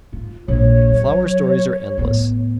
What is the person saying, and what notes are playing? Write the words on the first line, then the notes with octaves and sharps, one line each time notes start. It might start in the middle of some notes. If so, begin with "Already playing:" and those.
Flower stories are endless.
F4
A#1 C#5
F#3
A2 B3